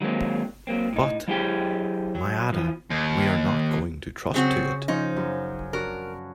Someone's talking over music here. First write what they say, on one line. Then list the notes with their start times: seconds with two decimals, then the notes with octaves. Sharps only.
But, my Ada, we are not going to trust to it!
0.01 D#3 F#3 G#3 A#3 C4
0.67 F#3 A#3 C4
0.93 A2 D#4
1.28 F#3 E4 G4 G#4 C5 G5
2.15 F#3
2.53 E3 F3
2.90 D#2
4.34 C#3 F#3 C4 F#4
4.88 F3 C#4 D#4
5.16 F#2
5.73 D4 F#4 A#4